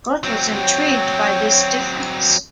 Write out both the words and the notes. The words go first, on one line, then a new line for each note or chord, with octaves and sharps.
Goethe was intrigued by this difference.
F#3 C4 C#5 G5